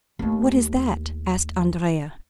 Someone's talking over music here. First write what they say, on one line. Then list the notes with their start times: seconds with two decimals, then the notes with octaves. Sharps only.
"What is that?" asked Andrea.
0.19 D#2 A3